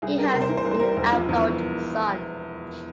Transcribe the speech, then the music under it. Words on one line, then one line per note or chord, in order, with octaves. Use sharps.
He has an adult son.
C2 G#4
G3 A#4
C3 A#4
C5
E3 A#4
C5
C2 A#4
C5
G3 A#4
E1 A#4
F3
E2